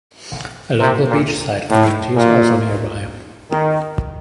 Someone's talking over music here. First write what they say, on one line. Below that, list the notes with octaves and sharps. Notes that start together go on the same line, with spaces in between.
A local beachside community is also nearby.
C3
A#2
A2
A#2
D#3